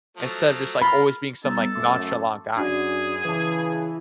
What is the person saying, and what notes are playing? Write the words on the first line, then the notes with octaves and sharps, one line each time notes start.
instead of just, like, always being some, like, nonchalant guy.
F3 F#3 A3
F4 A#4 B5
G3 B3 D#4 A4
F#2 A3 C6 D6
F#2 D4 F#4 G#4 D5
C#3 E3 B4 E5 A5